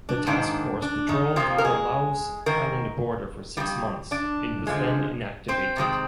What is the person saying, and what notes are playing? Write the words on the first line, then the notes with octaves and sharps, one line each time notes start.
The task force patrolled the Laos–Thailand border for six months and was then inactivated.
D4
G#2 D#3 A#3 D4
D4
D#3 D#4
F2 C3 F3 A#3 F4
A#4
G#3 G#4
G#2 D#3 A#4
F2 C3 G3
D4 D5
D3 F3 G#3
C4 C5
C3 D#3 G#3 C4